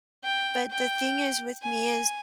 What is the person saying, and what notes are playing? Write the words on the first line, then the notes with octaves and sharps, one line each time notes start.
But the thing is with me is
G5
G5
G#5